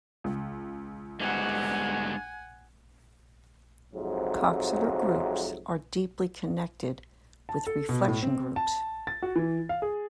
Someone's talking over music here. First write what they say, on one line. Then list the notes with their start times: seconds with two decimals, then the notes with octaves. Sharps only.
Coxeter groups are deeply connected with reflection groups.
0.24 C#2
1.20 G#2 D3 G3 B3 F#4 F#5 G#5
3.94 F2 G#2 C3 F#3
7.49 A5
7.67 A4
7.89 B2
8.08 A2
8.23 C4
8.56 A5
9.07 A6
9.22 F#4
9.36 E3
9.69 F5
9.82 G#4